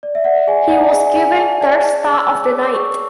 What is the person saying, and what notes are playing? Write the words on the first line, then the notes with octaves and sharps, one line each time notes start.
He was given third star of the night.
D5
E5
D5 F#5
G#4 G#5
D5 F#5
G#4 G#5
G#4 G#5
G#4 A5
D5 A5
G#4 A5
G#4
E6
C#5
D6
C#5
D6
G#4 C#6